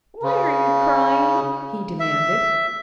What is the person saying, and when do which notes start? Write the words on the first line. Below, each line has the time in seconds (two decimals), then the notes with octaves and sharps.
"Why are you crying?" he demanded.
0.23 C#3
2.00 E5